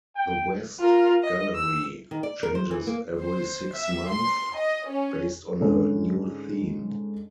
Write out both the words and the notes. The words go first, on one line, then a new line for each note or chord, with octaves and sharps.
The West Gallery changes every six months based on a new theme.
G5
F4 A#4
D#5
E6
D#3
D5
A#4
C5
E3
A#3
C5
E5
C6
D#5
C#4
G#2 D3 A3 C#4